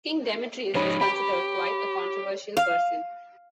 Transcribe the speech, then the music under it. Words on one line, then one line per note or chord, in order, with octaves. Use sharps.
King Demetrius was considered quite a controversial person.
F3 G#3 D#4 C#5 B5
G4 B5
F5